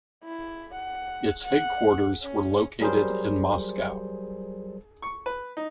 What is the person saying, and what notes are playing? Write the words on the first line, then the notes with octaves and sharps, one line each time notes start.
Its headquarters were located in Moscow.
E4
F#5
F#5
C#4
F#3 G3 G#4 A#4 C5
C#6
B4
D#4